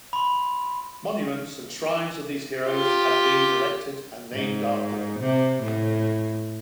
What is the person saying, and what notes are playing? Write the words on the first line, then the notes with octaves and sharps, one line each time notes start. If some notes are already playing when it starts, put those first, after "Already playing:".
Monuments and shrines of these heroes had been erected and named after them.
B5 C6
F4 G4
G#2
C3
A2